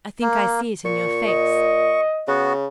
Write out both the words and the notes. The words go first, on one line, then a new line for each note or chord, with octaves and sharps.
I think I see it in your face.
A#3
A#2 C#6
D#5
C#3 B3 F#4